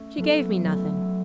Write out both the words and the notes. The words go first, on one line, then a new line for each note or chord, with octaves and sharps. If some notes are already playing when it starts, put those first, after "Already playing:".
'She gave me nothing.
Already playing: A3 C#4
F#3 B3 E4 A4
F#3 A3 E4 A4